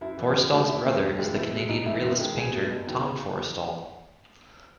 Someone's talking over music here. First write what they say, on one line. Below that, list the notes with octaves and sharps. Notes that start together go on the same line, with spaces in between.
Forrestall's brother is the Canadian realist painter, Tom Forrestall.
F#2 E4
C#3 E3
F#2
D#3 F#3 A3
D#2 E4
C#3 E3 A3
E1
D#2 C#3 E3 G#3
E2 E4
B2 G#3
B1 D#4
A2 E3 A3 E4
F#2
D#3 G#3
C#2 G#4
B2 F#3 A3
F#1
E2 D#3 F#3